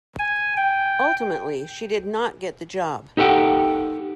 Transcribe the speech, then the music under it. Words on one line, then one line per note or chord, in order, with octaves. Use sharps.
Ultimately, she did not get the job.
G#5
G5
D#4 G4 A4 F#5 G5